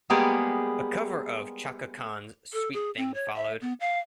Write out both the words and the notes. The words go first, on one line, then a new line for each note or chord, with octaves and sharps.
A cover of Chaka Khan's "Sweet Thing" followed.
G3 G#3 A#3 B3 G4 G#4
A4
G#4
C4
C#5
E5
B3
F5